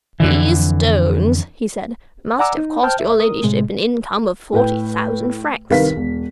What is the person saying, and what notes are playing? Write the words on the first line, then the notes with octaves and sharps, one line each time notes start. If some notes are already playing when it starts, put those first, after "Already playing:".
"These stones," he said, "must have cost your ladyship an income of forty thousand francs."
F2 D3 E3
D5 F#5 G#5 A#5 D6 E6
D#4
C5 G5 A5 F6 G6
C2 E5
A#4 D#6
A2 C3 G#3
A2 B4 G5
C2 D#3 B4 F5 B6
E1